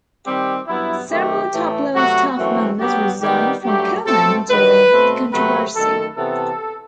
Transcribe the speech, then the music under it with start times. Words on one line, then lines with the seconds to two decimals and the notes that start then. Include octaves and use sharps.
Several top-level staff members resigned from Komen during the controversy.
0.26 D#3 G3 C4 G4
0.68 G2 F#3 B3 E4
1.11 F#2 D#3 A3 C4 G4
1.52 A2 E3 A3
1.95 C3 F#3 A3 F#4
2.37 F#2 E3 A3 C4 F#4
2.79 G2 F#3 B3 G4
3.22 D#3 G3 B3 G4
3.64 G2 F#3 A3 G4
4.06 B2 A3 C4 A4
4.49 G2 D#3 F#3 B4
4.90 B2 A3 C4
5.33 C3 F#3 A3 C4 B4
5.75 F#2 D#3 A3 A4
6.17 C3 E3 B3 A4